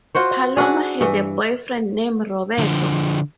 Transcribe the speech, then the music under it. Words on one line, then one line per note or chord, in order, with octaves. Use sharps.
Paloma had a boyfriend named Roberto.
F4 F#4 C5 C#5
D4 E4 F#4 G#4
G2 E3
D3 F3